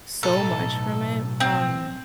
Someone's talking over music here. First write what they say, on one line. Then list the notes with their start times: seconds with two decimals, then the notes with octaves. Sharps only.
so much from it, um,
0.23 B1 A2 A4
1.40 C4